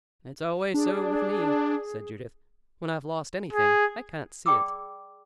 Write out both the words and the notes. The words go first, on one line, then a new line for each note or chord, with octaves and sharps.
"It's always so with me," said Judith, "when I've lost anything, I can't see it."
D4 G#4
G#4
G#4 D5 G5 B5 D6 E6